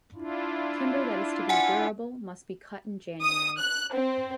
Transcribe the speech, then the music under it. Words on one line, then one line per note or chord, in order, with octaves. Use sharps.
Timber that is to be durable must be cut in January.
D4 E4 F4
F#5 G#5
D#6
F#6
C4